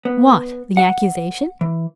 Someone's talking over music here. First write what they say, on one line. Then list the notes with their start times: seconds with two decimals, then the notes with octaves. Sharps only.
"What? the accusation?"
0.05 B3
0.77 F#5
1.61 E3